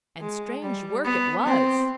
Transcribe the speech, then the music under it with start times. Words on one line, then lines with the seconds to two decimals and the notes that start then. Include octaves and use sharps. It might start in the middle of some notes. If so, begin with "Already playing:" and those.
And strange work it was!
0.20 G#3
0.63 G3
1.05 B3
1.46 C4